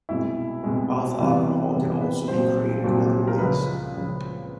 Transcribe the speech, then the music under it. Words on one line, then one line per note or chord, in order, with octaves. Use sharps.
Mouth alcohol can also be created in other ways.
C2 B2 G#3 E4
C2 B2 G#3
C3 E3 G3 B3
C3 E3 G3 B3
B4
C2 A#2 F#3 C5
C2 A#2 F#3
A#4
C#2 C#3 F3 B4
C#2 C#3 F3